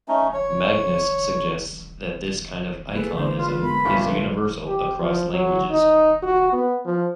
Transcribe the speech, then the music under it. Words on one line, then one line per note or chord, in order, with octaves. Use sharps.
Magnus suggests that this kind of iconism is universal across languages.
A3 C#4 D#4
C#5
A3 A#3 G#4 A4 B4
D3 G#3 A#3 D4 C5
F4 B4
G#3 B3 A#4 B5
G1 G2 A#2 A#3
D3 B4
G4
F3
F#3
D#4
F#4
B3
F3